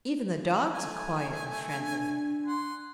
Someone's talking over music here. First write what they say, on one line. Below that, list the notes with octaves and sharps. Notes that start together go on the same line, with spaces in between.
Even the dogs are quiet and friendly.
A3 G#5
D4
F#5 C6